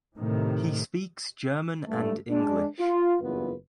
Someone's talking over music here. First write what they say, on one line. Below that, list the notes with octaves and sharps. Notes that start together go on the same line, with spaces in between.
He speaks German and English.
A2 C3 D#3
G2 A3
G#3 D4
F4
F#1 E2 G2 B3 F4 B4